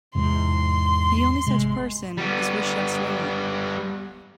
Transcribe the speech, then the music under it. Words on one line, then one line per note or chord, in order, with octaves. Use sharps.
The only such person is Rishyasringa.
E2 G#2 C3 C6
G#1 C3 G#3
G3 B3